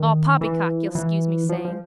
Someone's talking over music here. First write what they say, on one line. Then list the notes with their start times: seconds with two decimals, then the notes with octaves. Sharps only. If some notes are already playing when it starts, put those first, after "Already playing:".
All poppycock, you'll scuse me saying.
Already playing: D#3
0.41 E3
0.87 F3
0.95 E3
1.49 F3
1.65 F3